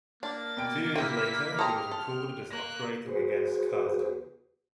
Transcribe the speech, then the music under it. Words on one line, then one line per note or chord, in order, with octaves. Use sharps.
Two years later, he was recorded as operating against Kazan.
A#3 D4 A6
B2 G5 D7
E4 G4 A#4 E6 B6 D#7
G4 A4 A#5 C6 D#6 F6
A4
A#3 F#6 A#6
F#4 G#4 B4 C5